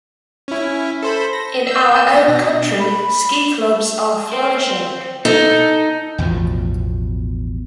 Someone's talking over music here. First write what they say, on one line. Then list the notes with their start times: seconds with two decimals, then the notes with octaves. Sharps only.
In our own country ski clubs are flourishing.
0.48 C#4 E4
1.03 A4 C5 B5
1.33 A#6
1.67 E6 G6
2.14 B3 A#6
2.27 B2 A#6
2.80 B5
4.33 C5 G5
5.25 D#4 A4
6.18 A1 E2 B2 F3